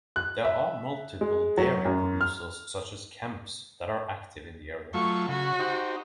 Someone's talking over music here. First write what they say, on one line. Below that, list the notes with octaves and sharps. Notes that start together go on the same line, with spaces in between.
There are multiple dairy producers such as Kemps that are active in the area.
F#6
E5
G#3
F#3
F#2
F6
F#3 A3 F4 C#6
C#3 F#4
D#4 G4 C5